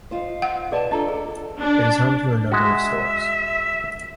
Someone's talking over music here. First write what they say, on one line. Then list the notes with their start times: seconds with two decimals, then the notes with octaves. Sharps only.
It is home to a number of stores.
0.11 D#4 F4 C5 F5
0.42 F#5
0.72 B2 G#4 B4 D5 D#5 A5
0.91 D4 F4 A4 D#5 A5 A#5
1.08 D2 G#4
1.62 D4
2.52 G#3 F#4 E5